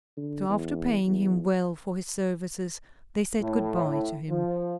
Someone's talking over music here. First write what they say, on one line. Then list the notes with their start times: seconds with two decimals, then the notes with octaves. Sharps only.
So, after paying him well for his services, they said good-by to him.
0.17 D3
0.49 E2
1.06 E2
3.42 A2
4.29 F3